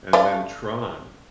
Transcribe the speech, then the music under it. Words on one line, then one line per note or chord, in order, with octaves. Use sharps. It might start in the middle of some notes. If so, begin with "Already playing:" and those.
and then Tron,
A3 D5 F5